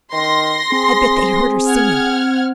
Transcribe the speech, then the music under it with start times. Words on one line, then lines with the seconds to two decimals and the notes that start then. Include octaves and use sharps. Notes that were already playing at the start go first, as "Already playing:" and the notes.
I bet they heard her singin'!
0.13 D#3 C6 A#6
0.72 C4 G#4
1.68 F#5 F6 G#6